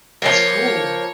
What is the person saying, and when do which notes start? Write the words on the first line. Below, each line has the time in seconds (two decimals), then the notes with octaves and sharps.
That's cool.
0.22 F3 A#3 C#5